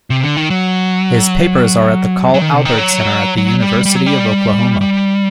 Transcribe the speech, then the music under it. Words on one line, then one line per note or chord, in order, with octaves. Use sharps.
His papers are at the Carl Albert Center at the University of Oklahoma.
C3
D3
D#3
F#3
F#3
D#3
C3
D#3
F#3
F#3
G3
G3
F#3
G3
G3